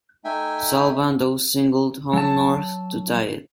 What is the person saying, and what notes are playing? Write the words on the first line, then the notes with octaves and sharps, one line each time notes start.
Sal Bando singled home North to tie it.
A3 D#4 E5 G5 G#5
F#3 A5